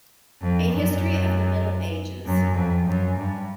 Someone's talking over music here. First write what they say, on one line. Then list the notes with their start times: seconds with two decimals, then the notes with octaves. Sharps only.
A history of the Middle Ages.
0.41 F2
0.71 F#2
2.25 F#2
2.55 F2
2.86 F#2
3.17 G2